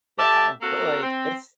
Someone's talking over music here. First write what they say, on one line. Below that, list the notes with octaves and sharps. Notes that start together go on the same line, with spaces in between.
Yeah, but, like, it's
G4 A4 D5 E5 A5
A#3 C4 F#4 A4 A#4
C4